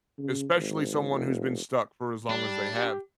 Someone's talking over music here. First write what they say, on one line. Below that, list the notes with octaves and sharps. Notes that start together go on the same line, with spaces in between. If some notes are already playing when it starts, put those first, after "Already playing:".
especially someone who's been stuck for as long as they have.
C#3
G#1
F1
G3 D4
G4